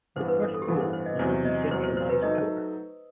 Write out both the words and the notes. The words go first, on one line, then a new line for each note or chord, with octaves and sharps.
The first goal was to decentralise power.
A1 G2 E3 B3 C5
B4
A4
A4
G4
A1 G2 E3 B3 A4
C5
C5
D#5
E2 C3 F#3 C5
D#5
E2 C3 F#3 C5
C5
C5
B4
F#3 A3 D#4 A4 D#5